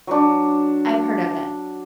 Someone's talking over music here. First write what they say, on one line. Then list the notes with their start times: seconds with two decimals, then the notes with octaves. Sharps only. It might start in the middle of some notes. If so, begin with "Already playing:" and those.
I've heard of it.
0.07 F#3 D4